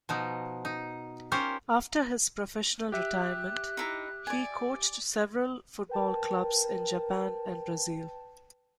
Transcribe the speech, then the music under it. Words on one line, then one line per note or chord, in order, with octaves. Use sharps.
After his professional retirement, he coached several football clubs in Japan and Brazil.
B2 F3 D#4
D#4
C#4 F4 G4 A#4 C5 C#5
G4 E5 F#6
D#4 E4 A#5
D5 G#5
A#4 B4 G5 A5